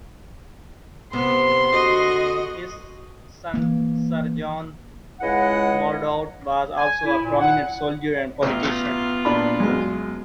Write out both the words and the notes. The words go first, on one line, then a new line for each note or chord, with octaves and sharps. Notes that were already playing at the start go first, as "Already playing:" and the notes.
His son Sir John Mordaunt was also a prominent soldier and politician.
C3 B3 C6
D3 F#4 D#5
E3 A#3
C#2 C#3 G#3 E4 D#5 F#5
G#5
E4
A#2
F#5
A1 B3 F4
A#2 D4 B5
F#2 G#3